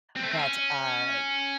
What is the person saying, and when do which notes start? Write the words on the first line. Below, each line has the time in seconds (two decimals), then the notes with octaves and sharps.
but, uh,
0.16 C4
0.23 A3
0.31 C4
0.38 C#4